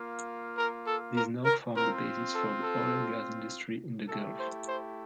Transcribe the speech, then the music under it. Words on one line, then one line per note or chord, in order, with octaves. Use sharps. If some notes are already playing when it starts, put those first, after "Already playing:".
These now form the basis for the oil and gas industry in the gulf.
Already playing: A#3 F4
A#4
A4
A#4
A#4
C4 F4 A#4
A4
A4
A3 E4 G4 A4
C5
C5